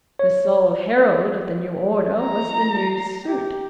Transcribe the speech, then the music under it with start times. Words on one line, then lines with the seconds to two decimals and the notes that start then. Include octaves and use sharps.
The sole herald of the new order was the new suit.
0.19 C#5
2.22 A#5
3.25 G4